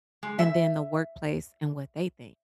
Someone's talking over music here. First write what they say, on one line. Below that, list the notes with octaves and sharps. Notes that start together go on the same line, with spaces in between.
and then the workplace and what they think?
G#3
E5